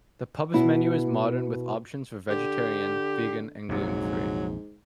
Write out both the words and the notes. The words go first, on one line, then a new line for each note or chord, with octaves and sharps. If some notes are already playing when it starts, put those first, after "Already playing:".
The pub's menu is modern, with options for vegetarian, vegan, and gluten free.
B2 E4
D3 G4
A#1 F2 G#2 C3 F#3